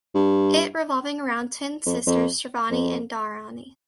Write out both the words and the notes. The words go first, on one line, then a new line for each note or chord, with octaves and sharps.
It revolving around twin sisters Sravani and Dharani.
G2
F2
F2
F2